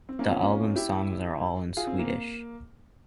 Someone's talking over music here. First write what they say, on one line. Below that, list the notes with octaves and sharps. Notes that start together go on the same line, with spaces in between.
The album's songs are all in Swedish.
C4
A#3 C#4
C#4 F4
C#4 F4
E4 G4
F4 G#4
C4
A#3